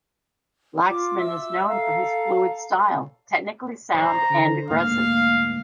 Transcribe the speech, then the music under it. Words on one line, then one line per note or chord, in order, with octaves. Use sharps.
Laxman is known for his fluid style, technically sound and aggressive.
F4 D6
E5 E6
A4 F5 A#5
C5 A#5
D3
D2 G#2 A#3 F5